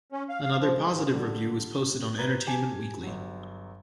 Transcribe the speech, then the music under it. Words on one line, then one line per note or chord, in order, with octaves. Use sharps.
Another positive review was posted on "Entertainment Weekly".
C#4
F5
F5
F3
G#3
G#2
D3 G3 F4 A4
B4 A#5 G#6 A6
G4 G#5 A5
G1 F#3